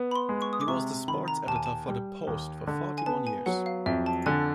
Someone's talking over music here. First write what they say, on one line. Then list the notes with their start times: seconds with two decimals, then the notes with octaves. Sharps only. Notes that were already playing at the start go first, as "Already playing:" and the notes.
He was the sports editor for the "Post" for forty-one years.
Already playing: B3
0.11 B5
0.15 C6
0.29 G#3
0.42 C#6
0.53 D#6
0.61 D6
0.68 C3 C#6
1.08 D#3 B5
1.28 A#5
1.47 D#2 A5
1.56 G#5
1.66 A5
1.88 G3
2.27 D#2
2.67 D3
2.98 G#5
3.06 B3 A5
3.27 G#5
3.46 F#3 F#5
3.66 F5
3.86 F2 E5
4.06 A5
4.26 D3 G#5